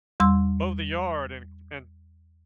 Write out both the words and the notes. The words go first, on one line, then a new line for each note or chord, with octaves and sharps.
Mow the yard and and,
E2 G3 C6 E6